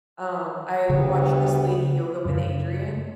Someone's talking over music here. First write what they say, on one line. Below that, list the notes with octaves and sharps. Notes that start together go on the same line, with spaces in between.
um, I watch this lady: Yoga With Adriene,
D2 C#3 G3 B3
F#2 C#3